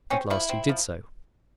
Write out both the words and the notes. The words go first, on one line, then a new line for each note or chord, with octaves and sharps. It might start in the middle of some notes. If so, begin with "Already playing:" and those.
At last he did so.
C4 C#4
F3 E4
C4
F3